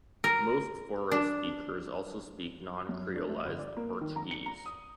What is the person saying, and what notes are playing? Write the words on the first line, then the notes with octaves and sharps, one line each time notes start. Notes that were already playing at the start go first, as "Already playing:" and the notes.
Most Forro speakers also speak non-creolised Portuguese.
A#4
D4
F#2
D4
A3
G1
D5
A#3
D#3
A#5
C#7
A#5
D#6